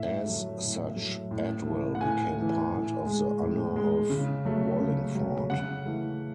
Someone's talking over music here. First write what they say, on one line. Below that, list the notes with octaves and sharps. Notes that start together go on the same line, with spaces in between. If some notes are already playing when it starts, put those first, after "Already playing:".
As such, Adwell became part of the Honour of Wallingford.
Already playing: A2 E5
F#3 A3
A2
F#3 A3
A2
E3 A3
F#5
A2 G#5
E3 A3
A2
G#3
A2
G#3
C#3
F#3 A3
C#3
F#3 A3
C#3 F#5
E3 A3